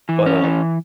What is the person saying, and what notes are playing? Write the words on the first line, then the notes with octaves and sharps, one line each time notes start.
but, um,
E3
C#4
E3